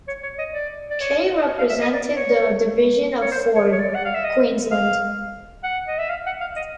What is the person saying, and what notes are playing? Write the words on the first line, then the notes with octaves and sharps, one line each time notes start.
Kay represented the Division of Forde, Queensland.
C#5
C#5
D#5
D5
D5
C#5
C#5
F5
E5
D#5
D5
C#5
C#5
C5
C#5
C#5
D5
F#5
F5
E5
D#5
F5
F#5
D#5
E5
F5
F#5
F5
D#5